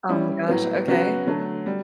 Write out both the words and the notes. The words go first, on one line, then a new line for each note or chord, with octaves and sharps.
Oh, my gosh. Okay.
G3 C#4 E4
A2 F#3 B3
C#3 F#3 B3 F#4
D3 F#3 A3
G3